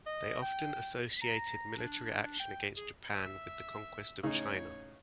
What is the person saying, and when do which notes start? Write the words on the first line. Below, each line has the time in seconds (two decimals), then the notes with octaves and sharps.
They often associated military action against Japan with the conquest of China.
0.06 D#5
0.42 G5
1.22 A#5
1.78 D4
2.40 G5
2.77 G#4
3.14 E5
4.23 A2 C#3 D#4 C#5